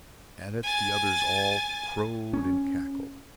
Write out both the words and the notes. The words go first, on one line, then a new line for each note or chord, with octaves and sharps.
At it the others all crowed and cackled.
G#5 A6
C#4